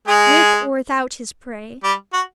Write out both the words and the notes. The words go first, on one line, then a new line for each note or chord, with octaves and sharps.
With or without his prey!
G#3 G#4
G3 G4
F#4